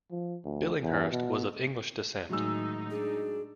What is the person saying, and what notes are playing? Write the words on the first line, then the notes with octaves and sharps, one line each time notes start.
Billinghurst was of English descent.
F3
D2
E2
B2
A2 D#3 F#3 G#3 D#4 E6
D4 G#4